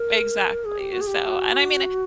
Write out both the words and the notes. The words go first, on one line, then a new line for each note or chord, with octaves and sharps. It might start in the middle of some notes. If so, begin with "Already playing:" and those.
exactly, so and, I mean,
Already playing: A#4
G#4
G4
F#4
G#4
G4
F#4